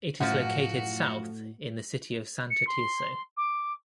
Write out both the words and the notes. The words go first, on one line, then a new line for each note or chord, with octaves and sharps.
It is located south in the city of Santo Tirso.
F#2 A2 F3 F#4 F#5
C#7
C6
D6